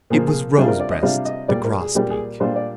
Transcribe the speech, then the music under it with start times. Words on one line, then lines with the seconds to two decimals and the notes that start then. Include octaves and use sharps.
It was Rosebreast the Grosbeak.
0.10 A#2 F3 A#3 G#4
0.27 G#4
0.57 C3 G3 D4 F4 G#4
0.68 A#4
0.80 D5
0.91 D#5
1.02 C3 G3 D4 F4 F5
1.25 D#5
1.48 A#2 G3 A#3 D5
1.64 A#4
1.80 G#4
1.95 A#2 G3 A#3 G4
2.10 G#4
2.40 A#2 G3 D4 F4 C5
2.56 D5